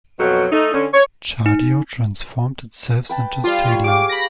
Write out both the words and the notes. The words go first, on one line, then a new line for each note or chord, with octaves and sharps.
Tchadio transformed itself into Sadio.
F2 B2 F#3
A3 D#4
D3 C#4
C#5
D#4
B4 G5 A5
G3 F4 D6
C#5 F5 C#6
G4 G#4 F5 D6 D7
B5 A#6